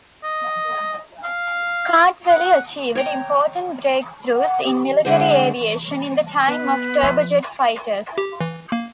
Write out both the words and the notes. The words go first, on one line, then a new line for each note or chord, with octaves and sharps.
Kartveli achieved important breakthroughs in military aviation in the time of turbojet fighters.
D#5
F5
F#5
C#5 G5 A#5
F#5
G4
D3 G#3 C5 F#5
B3 B4
F3 E5 C6
G4
E3
A#3